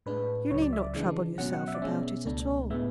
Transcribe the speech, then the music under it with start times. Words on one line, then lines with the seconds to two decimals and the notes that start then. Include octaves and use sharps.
You need not trouble yourself about it at all.
0.06 A2 G#3 D4 B4
0.50 C#2 C#3 F#3 C#5
0.62 D5
0.73 E5
0.83 D5
0.94 C#3 E3 G#3 D4
1.38 B2 F#3 C#4 F#5
1.53 F#5
1.68 E5
1.75 D5
1.82 B2 G#3 C#4 E5
2.26 C#2 B2 A3 D4
2.70 A2 G#3 B3 E5